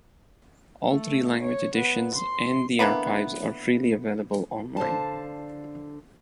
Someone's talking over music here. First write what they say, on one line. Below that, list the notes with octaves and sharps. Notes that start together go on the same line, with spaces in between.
All three language editions and the archives are freely available online.
A3
C#5
B3
C6
D3 E3 A#3 B3
D3 C5 F5 A5